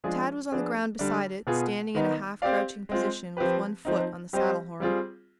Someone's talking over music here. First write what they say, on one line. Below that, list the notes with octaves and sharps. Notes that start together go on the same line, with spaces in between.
Tad was on the ground beside it, standing in a half-crouching position, with one foot on the saddle horn.
F3 G#3 D4 F4 G#4
F3 B3 D4 G#4
D3 G3 D4
B2 B3 F4 G#4
D#3 B3 D#4
C4 G4 D5 F5
G#3 C4 F4
F3 C4 G4 B4
F3 C4 D#4
G3 C4 G4 C5 D#5
G3 C4 F4 G#4